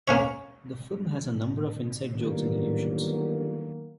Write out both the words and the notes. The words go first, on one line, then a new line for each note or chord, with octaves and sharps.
The film has a number of inside jokes and allusions.
A#3 C#4 C#5
G1 D#3 F#3 A#3